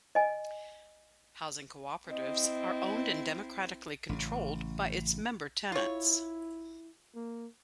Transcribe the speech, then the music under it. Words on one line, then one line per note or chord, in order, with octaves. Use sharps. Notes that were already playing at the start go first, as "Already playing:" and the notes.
Housing co-operatives are owned and democratically controlled by its member-tenants.
D#5 G#5
C4 E4 D#5
A1 C#3
E4 F4 C#5
A#3